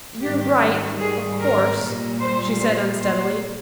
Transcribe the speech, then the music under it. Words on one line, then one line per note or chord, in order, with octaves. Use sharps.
"You're right--of course," she said unsteadily.
G#2 D#3 G3 G4
G#4
A#4
A#2 G3
C5
C5
C5